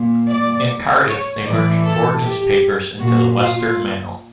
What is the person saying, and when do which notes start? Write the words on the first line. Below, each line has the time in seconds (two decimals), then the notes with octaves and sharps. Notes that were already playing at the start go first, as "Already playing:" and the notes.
In Cardiff they merged four newspapers into the "Western Mail".
Already playing: A#2
0.30 D5
1.08 C#5
1.46 A2 E3 D5
1.85 A4
2.23 G4
3.00 A#2 F#4
3.39 F4